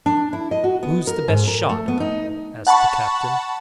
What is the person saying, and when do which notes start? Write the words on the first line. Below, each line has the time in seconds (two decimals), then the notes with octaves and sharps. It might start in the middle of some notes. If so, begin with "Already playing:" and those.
"Who's the best shot?" asked the captain.
0.06 D4
0.33 E4
0.51 D#5
0.64 F#4
0.83 B3
1.07 A#4
1.28 G#2
1.47 A#4
1.69 A3
1.88 B3
2.00 D#4
2.67 F#5 A5 B5 C#6